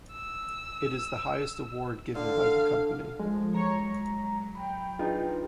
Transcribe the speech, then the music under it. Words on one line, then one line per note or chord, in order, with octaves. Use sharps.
It is the highest award given by the company.
E6
D3 F5
F3 G#3
C#5 A#5
F#3
G5 B5
D4 D#4 F4 G#4 B4